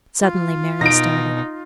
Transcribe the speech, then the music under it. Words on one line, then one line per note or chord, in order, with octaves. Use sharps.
Suddenly Mary started.
F4
B2 D#4 A#6 D7